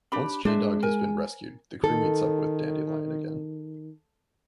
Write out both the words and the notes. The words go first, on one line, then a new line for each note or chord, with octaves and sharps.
Once J Dawg has been rescued the crew meets up with Dandelion again.
D4 G4 B5
G#3 D4 C5 E5
A#4 G#5
D#3 A4